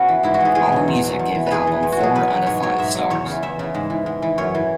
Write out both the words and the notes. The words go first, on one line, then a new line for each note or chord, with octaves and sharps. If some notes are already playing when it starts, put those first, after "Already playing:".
Allmusic gave the album four out of five stars.
Already playing: C#3 B3 C#4 F#4
E3
G#2 E4
F#4
E3 G#4
E2 G#4
B2 F#3
E2
B2 F#3
E2
E3
E2 G#4 B4
E3
E2
F#4
B2 F#3 G#4
E2 B4
B2 F#3
G#2 C#5
F#3 C#5
G#2 E5
F#3
E2 C#5
C#3 E3
E2 E5
C#3 E3
G#2
E3
G#2
E3
F#2 C#5
E3